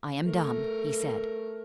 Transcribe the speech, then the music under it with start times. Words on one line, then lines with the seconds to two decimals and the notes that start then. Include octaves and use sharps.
"I am dumb," he said.
0.24 A3 A#4